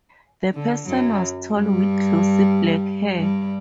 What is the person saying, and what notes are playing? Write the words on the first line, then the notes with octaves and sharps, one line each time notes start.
That person was tall with glossy black hair.
D3
F#2 F#3
G2 G3
G2 G3